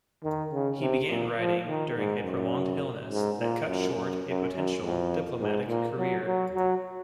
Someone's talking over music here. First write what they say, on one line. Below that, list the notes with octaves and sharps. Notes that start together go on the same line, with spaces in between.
He began writing during a prolonged illness that cut short a potential diplomatic career.
D#3
C#3
C3
A#2
F3
D#3
G#2
F#2
G#2
A#2
F#2
F#2
F#2
F#2
F2
G#2
A#2
F#3
F#3
F#3